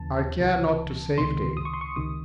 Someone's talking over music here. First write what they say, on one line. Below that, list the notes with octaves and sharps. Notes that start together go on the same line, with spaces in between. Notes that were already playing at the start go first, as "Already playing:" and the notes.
I care not to save thee.
Already playing: D#2 C#3 E3 A5
C#2 C3 E3
C#2 C3 D#3 C6
D#6
C#6
C6
C#6
C#2 C3 D#3 D#6